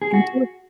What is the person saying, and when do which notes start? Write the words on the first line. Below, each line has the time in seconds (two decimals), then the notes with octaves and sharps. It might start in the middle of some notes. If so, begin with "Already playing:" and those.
You do it.
0.02 G#4
0.14 F#4